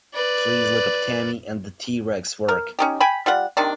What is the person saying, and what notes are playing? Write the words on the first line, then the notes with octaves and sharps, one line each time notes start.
Please look up Tammy and the T-Rex work.
B4 D5
A#4
C#4 D#4 G4
G5 G#5 B5
G3 F4 F#5
C3 D#3 D4